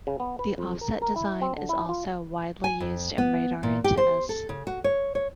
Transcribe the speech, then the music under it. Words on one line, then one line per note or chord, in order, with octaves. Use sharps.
The offset design is also widely used in radar antennas.
C#3
B3
B4
F2
A#4
A#4
E4
C4
D3
E4
F4
G#5
F2
B3
A#2
G4
C5
A4
C#3
F#4
C#5
C#5